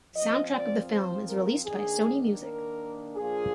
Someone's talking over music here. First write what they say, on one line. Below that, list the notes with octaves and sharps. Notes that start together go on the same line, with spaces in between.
Soundtrack of the film is released by Sony Music.
F3 C4 D#5
D5
C5
A#4
D#3 A#3 D4 G#4
A#4
A#2 F3 A#3 D4 G#4